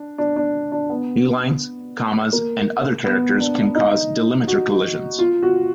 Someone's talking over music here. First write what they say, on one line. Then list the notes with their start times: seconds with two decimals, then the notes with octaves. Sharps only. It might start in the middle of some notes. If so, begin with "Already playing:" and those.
Newlines, commas, and other characters can cause delimiter collisions.
Already playing: D4
0.18 D4
0.36 D4
0.72 D4
0.90 B3
2.33 A#3
3.04 B3
3.40 D4
3.75 D#4
4.47 F#4
5.19 F4
5.42 F#4